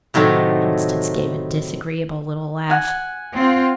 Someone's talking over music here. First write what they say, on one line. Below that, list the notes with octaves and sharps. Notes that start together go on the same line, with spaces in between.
Constance gave a disagreeable little laugh.
A2 C3 D#3 F#3 A3
F#5 G#5
C4 F4